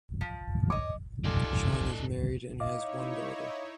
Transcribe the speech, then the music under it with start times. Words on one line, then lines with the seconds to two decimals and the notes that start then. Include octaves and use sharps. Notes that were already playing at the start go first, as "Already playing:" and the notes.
Chong is married and has one daughter.
0.21 F3
0.70 C#5 D#5 D6
1.25 D#4 F4 G4 A4 D5 G#5
2.60 D#4 E4 C#5 D#5 F5 D6